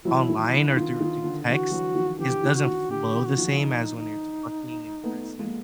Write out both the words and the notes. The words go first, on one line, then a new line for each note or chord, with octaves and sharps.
online or through through text is doesn't flow the same as when you're talking in person,
E3 F#3 E4
D#3
E4
D3
E4
D#3 F4
D#3
D3
D3 E3 F#4
E3 F#3
D#3 F3
D3 E3 G4
D#3
F#4
D#3
D3 G4
D3 E3
F#4
D#3 F3
D#4
D#4
A3 B3
G#3 A#3